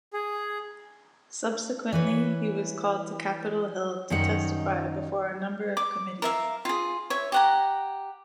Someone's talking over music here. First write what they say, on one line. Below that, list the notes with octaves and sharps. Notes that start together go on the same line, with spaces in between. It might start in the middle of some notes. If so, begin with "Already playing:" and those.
Subsequently, he was called to Capitol Hill to testify before a number of committees.
G#4
E3 B4 C#5
F#2 D#3 G3 D#4 C5 F#5
D6
A#4 E5 F5
F4 G#4
C#5 E5
G4 F#5 A#5